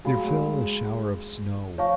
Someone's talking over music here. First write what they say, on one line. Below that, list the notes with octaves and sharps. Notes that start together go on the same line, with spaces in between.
There fell a shower of snow.
G#3 F#4 C#5 F5 B5
F#3
G#3
F3 C#5 F5 A5 C#6